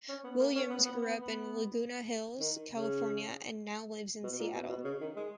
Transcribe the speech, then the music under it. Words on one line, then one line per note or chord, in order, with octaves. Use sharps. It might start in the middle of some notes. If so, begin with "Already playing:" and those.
Williams grew up in Laguna Hills, California, and now lives in Seattle.
C#4
B3
A#3
C#4
B3
B3
B3
B3
D#3
C#3
B2
A#2
B2
B2
C#3
D#3
G#3